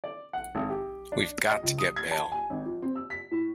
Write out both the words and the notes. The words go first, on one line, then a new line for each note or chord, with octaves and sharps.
We've got to get bail.
D5
F#5
G#1
G4
D4
D#5
C#2
D#6
G#6
A5
G#5
G#1
F3
C4
E6
B6
A2